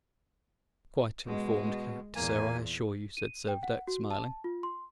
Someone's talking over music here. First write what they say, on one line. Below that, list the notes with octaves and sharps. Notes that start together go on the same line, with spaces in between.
"Quite a reformed character, sir, I assure you," said Servadac, smiling.
B2 G#3
E2 A#2 A#3 G#5
D#7
G5
F#5
F#4
A5
F4
C6